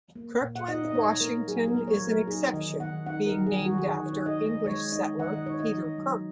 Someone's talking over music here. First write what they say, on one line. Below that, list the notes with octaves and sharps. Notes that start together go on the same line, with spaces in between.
Kirkland, Washington is an exception, being named after English settler Peter Kirk.
A#3
A#2
F#5
D#4 D#5
D#5
D#4 C#5
A#3 A#4
F#3 G#4
A#4
A#3
C#5
F#3
A#4
D#4 G#4
D#3 D#5
D#3 F#5
D#4 F#5
A#4
F#3
G#4
D#3
F#4
F#4
D#3 G#4
C#5
D#4
D#5
G#3
D#5
G#3 C#5
D#4 D#5
D#3 F#5
D#5
D#4 C#5
D#5
D#4
F#3